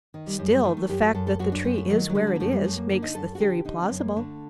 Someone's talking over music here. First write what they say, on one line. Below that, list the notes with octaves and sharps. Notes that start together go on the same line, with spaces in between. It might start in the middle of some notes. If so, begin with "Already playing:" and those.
"Still, the fact that the tree is where it is, makes the theory plausible."
D#3
G3
F#2 G3
G3
D#3 A3
A3
F#2 G4
F#4
F#2 A4
A4
F#2 F#4
D4
F#2 C4
A3
D#3 F#3
A3
F#3
D3 G3
G3
A#3
F#2 A3
G3
F#2 A3
A#3
D3 A#3
D#4
F#2 A4
F#4
D3 G4
D3 D#4
C4
F#2
A#3
D3 A3